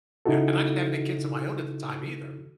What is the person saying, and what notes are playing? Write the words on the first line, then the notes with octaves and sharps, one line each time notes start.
Yeah, and I didn't have any kids of my own at the time either,
C#3 D#4 E4 F#4 A4